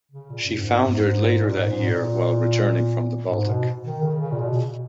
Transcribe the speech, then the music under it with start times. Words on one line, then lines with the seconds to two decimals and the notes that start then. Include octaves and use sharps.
She foundered later that year while returning from the Baltic.
0.12 C#3
0.30 A#2
0.43 F#2
0.58 G#2
0.72 G#2
0.80 F#2
0.88 G#2
1.42 A#2
1.56 G#2
1.69 G#2
1.83 A#2
3.27 G#2
3.46 B2
3.84 D#3
4.02 C#3
4.20 C#3
4.31 A#2
4.39 B2